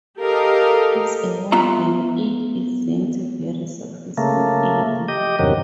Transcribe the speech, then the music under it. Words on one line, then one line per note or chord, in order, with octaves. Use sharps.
As a war game it isn't very successful either.
G4 A4 A#4 D#5 F5
B3 F4 E5 A#5
C#3 A3 A#3
G4 D#5
E2 G2 C3 D#3 F#3